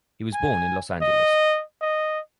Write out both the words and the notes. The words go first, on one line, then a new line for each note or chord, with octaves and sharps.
He was born in Los Angeles.
G#5
D#5
D#5